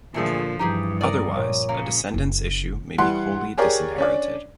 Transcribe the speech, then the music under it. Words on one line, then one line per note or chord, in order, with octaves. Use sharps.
Otherwise, a decedent's issue may be wholly disinherited.
A#2 D3 E3 F3 A3 G#4
G2 E3 F3 D#4 G4 G#4
A#4 D5 A#5 D6 D#6
A#2 C#5
C#3 A#3
F#1
E3 G3 F#5 C6 F#6
G4 G#4 A#4 C#5 D5
C#4 D4 D5